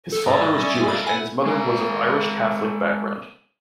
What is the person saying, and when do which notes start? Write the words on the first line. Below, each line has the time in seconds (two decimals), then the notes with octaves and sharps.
His father was Jewish and his mother was of Irish Catholic background.
0.12 A4
0.26 G#2 G3 G#3 E4 D5 D#5 A#5
0.58 G3 C#4
0.74 A#2 G3 G#5
0.88 A4 A#4 F5 B5
1.07 E4 F#5 G#5
1.46 G#3 A#4